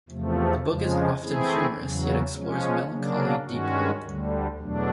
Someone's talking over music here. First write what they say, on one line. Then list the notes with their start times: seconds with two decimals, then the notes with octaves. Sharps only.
The book is often humorous yet explores melancholy deeply.
0.09 E2 C3 F3 A3
0.65 F2 C#3 F3 G#3
1.21 E3 A3 C4 E4 G#4
1.78 E2 C#3 F#3
2.34 F3 G#3 C#4
2.89 C#3 F#3 A#3 D4
3.46 G2 D#3 G#3 C#4 F#4
4.02 D2 D3 G3
4.58 E2 B2 F#3 A3 D4